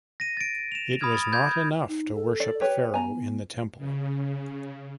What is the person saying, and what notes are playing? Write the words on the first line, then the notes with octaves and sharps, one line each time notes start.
It was not enough to worship Pharaoh in the temple.
A#6 D#7
A6 D7
E7 F7
B5 D#6 F6 G#6
A6
B5 G6 G#6
D#4
A4
D5
G4 B4 C#5
B3 G#5 A#5
C#3